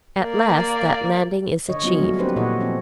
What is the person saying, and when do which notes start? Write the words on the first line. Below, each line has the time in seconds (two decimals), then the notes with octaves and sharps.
At last that landing is achieved.
0.22 A#3 D5
1.69 D3 C#5 D#5
1.83 F3 F#3 B3 C#4 F4 D#5
1.99 G3 A3
2.19 A#3 C4 D4 G4 B4 C5
2.36 A#2 E3 A4 C#5 D#5 F#5
2.60 F3 C4 C#4